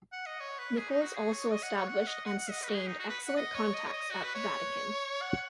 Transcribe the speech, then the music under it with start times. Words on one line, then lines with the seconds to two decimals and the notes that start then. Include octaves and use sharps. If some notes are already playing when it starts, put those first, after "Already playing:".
Nichols also established and sustained excellent contacts at the Vatican.
0.13 F#5
0.26 D#5
0.41 C#5
0.59 B4
0.77 G#4
0.90 D#4
1.02 F#4
1.15 G#4
1.33 C#5
1.52 D#5
1.63 F#5
1.77 C#5
1.88 F#5
2.08 D#5
2.26 F#5
2.38 F#5
2.51 D#5
2.63 B4
2.69 F#4
2.75 G#4
2.88 D#4
2.99 F#4
3.09 B4
3.28 F#5
3.36 D#5
3.55 C#5
3.74 D#5
3.87 C#5
3.93 D#5
4.11 F#4
4.24 B4
4.35 C#5
5.22 F#5